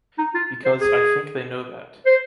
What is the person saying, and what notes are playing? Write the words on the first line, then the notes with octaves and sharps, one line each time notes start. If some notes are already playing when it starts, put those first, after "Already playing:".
Because I think they know that.
D#4
F4
C5
G#4
C5